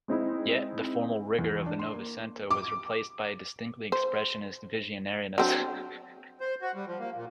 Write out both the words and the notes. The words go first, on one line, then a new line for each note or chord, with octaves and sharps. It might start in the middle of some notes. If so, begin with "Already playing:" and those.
Yet, the formal rigour of the Novecento was replaced by a distinctly expressionist visionariness.
G#3 C4 D#4 E4
E2
D4
C6
A#3
D6
C5
F#3 C4 D4
C5
F#4
G3
F3
A#3
A#2